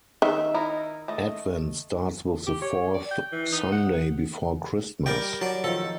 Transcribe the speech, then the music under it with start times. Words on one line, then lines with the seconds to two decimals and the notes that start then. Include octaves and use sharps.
Advent starts with the fourth Sunday before Christmas.
0.22 D#3 E5
0.54 D#4 E4 A#4
1.08 A3 D#5
2.47 G4
2.62 C#5
2.94 D5
3.11 G5
3.32 E3
3.52 D#4
3.72 F#5
5.06 G3 A#4 D5 G5
5.41 F#3 D5 A5
5.64 D#3 F3 A4